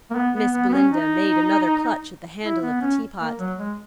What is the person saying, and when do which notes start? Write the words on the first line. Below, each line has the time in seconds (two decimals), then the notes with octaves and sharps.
Miss Belinda made another clutch at the handle of the teapot.
0.10 A#3
0.15 B3
0.34 B3
0.53 B3
0.69 B3
0.73 C#4
0.91 D#4
2.44 E4
2.63 B3
2.81 C#4
3.20 A#3
3.39 F#3
3.58 G#3